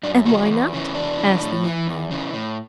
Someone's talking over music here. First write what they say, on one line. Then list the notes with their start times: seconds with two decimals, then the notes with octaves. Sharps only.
"And why not?" asked the young man.
0.03 F#2 D4
0.26 C#3 E3 F#4
0.50 E2
0.73 C#3 E3
0.95 E2 D4
1.18 C#3 E3
1.42 A2
1.64 E3
1.87 E2
2.11 C#3 E3
2.34 A2